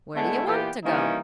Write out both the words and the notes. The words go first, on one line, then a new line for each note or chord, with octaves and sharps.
"Where do you want to go?"
D3 G#3 A3 B3 E4
A#2 E3 B3 F4 G4
D#3 E3 G3 A#3 C#4 D#4